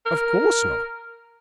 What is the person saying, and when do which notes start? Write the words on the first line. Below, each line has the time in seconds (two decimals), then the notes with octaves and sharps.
'Of course not.
0.06 A#4